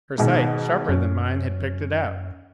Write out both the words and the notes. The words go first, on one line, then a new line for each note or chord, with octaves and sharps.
Her sight, sharper than mine, had picked it out.
G#2 B2 D#3
F#2 C#4